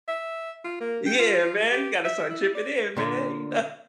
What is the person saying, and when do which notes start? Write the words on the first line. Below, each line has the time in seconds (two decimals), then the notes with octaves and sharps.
Yeah, man, you gotta start chipping in, man you kno
0.08 E5
0.64 F4
0.80 A#3
1.06 G5
1.19 F4
1.72 G4
2.05 E5
2.30 E4
2.55 D5
2.97 A#2 D3